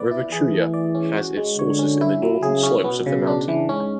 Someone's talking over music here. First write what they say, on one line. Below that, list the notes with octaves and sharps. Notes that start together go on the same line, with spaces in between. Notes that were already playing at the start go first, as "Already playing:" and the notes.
River Chuya has its sources in the northern slopes of the mountain.
Already playing: B3 B4 D5
E4
E3 G#4
A3
D5
C#4
F#4
G#3
D3 C#5
C#4
E4
F#3
C#3 G#4
C#4
B2 B3
C#3
D4
E3
G#2 C#4